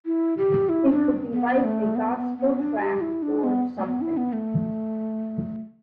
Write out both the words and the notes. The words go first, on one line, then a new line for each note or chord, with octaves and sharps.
It could be like a gospel track or something.
E4
G4
E4
D4
B3
A3
B3
B3
B3
D4
G4
E4
D4
B3
A3
B3
E4
B3
A3